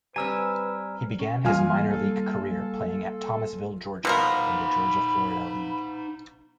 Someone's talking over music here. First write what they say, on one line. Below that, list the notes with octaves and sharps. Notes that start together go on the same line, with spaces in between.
He began his minor league career playing at Thomasville, Georgia, in the Georgia-Florida League.
G3 C4 B4 G#5 A#5 E6 F6
C#4
E3 G3 A#3 F4 G#5 F6
A4
B2 F3 D#4 A#4 F#5 B5